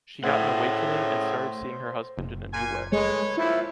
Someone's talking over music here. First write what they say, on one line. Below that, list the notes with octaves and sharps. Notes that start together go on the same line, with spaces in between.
She got an awakening and starting seeing her husband in a new way.
A2 G#4 C5 C#5 F#5
F#1
A#2 G#5
G#3 A4 B4 C#5
A#2 F3 E4